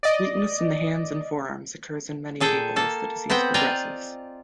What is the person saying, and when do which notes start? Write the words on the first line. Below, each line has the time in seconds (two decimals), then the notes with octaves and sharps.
Weakness in the hands and forearms occurs in many people as the disease progresses.
0.03 D5 D#5
2.40 A#2 G#4 A4 G5
2.76 A#3 A4
3.30 B3 C4 C5 F#5 G5
3.54 F4 D5 D#5 G5 G#5 A#5